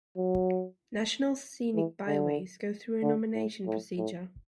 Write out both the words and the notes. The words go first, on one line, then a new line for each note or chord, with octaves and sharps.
National Scenic Byways go through a nomination procedure.
F#3
E3
D3
D3
A2
A2
A2